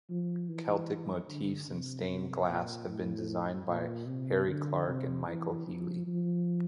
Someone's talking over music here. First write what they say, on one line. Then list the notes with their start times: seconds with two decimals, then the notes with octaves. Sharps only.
Celtic motifs and stained glass have been designed by Harry Clarke and Michael Healy.
0.10 F3
0.49 E3
1.28 D3
1.68 C3
2.08 C3
2.48 A#2
2.88 A2
3.68 A#2
4.07 C3
4.47 D3
4.87 C3
5.27 E3
5.67 F3
6.07 F3